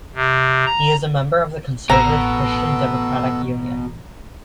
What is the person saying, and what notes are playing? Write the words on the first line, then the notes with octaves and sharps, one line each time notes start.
He is a member of the conservative Christian Democratic Union.
C3
A#5
A1 B2 B3 A4 A#5